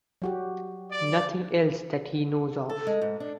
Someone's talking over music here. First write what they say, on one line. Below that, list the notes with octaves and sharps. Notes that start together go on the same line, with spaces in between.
Nothing else that he knows of.
F#3 F#4 G4
D5
A4
G#3
G#2
D4